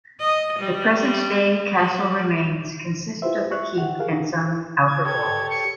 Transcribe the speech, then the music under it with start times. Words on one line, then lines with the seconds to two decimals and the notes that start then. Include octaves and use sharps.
The present-day castle remains consist of the keep and some outer walls.
0.20 D#5
0.59 G3
1.77 F#3
3.22 E4 F4 G4 B4 C5 E5
3.51 E5 C#6 F#6
3.78 D#3 G4 F#5
4.00 G#4 A#4 F5
4.87 G#6
5.05 G4 A4 C#5 G#6
5.50 C#7